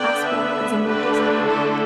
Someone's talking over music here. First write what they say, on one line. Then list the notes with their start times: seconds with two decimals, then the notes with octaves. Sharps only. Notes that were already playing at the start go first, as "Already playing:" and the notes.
Asphaug is an Eagle Scout.
Already playing: D3 B3 D4 D5 G5
0.24 B4 E5
0.85 D3 A3 D4 G4 B4
1.45 E4 A4